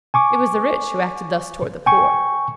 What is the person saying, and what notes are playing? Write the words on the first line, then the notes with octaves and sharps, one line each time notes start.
It was the rich who acted thus towards the poor.
G#5 C#6 D6
G5 G#5 C#6